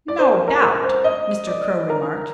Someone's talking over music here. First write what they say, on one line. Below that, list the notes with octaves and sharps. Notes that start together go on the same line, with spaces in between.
"No doubt!" Mr. Crow remarked.
D5
C5
A#4
A#4
A#4
C5
D#5
D5
A#4